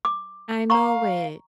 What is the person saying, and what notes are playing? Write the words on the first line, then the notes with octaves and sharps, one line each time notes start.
I know it.
D6
F5 A#5 C#6